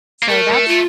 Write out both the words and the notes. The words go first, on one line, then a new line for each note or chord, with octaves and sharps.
so that's
A#3
A3 A#4
G3
A3
F4